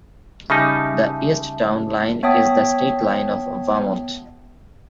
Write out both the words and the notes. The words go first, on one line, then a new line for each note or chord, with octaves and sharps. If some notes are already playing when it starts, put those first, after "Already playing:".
The east town line is the state line of Vermont.
C#3 G3 D#4 E5 A5
B3 C#5 E5 G5 A5 D#6